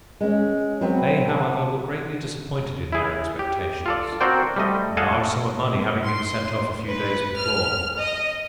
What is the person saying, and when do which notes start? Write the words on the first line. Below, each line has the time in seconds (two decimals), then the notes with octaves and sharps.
They, however, were greatly disappointed in their expectations, a large sum of money having been sent off a few days before.
0.21 G#3 C#4
0.81 F#3 B3 C4
1.28 F#5 A5
2.92 E4 G#4
3.39 G4
3.86 F4 A4 D5
4.21 C4 F#4 A#4 C5 D5 G5
4.56 G3 A3 D#5
4.97 A4 D#5 F5 F#5 G#5 A5
6.04 C6
6.86 B4
7.38 F6
7.97 D#5